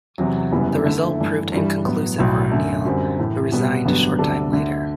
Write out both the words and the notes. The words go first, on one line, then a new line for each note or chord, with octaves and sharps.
The result proved inconclusive for O'Neill, who resigned a short time later.
E2 C3 F#3
F#1 F#2 E3 G3 B3
D3 A3 E4
G2 E3 A3
G2 E3 G3
A2 F#3 B3
B1 A2 F#3
F#2 D3 A3
F#2 D3 G3 C4
A2 E3 A3
B2 G3 B3
A1 G2 D3 F#3 B3
D2 C3 G3 D4 A4
D2 D3 A3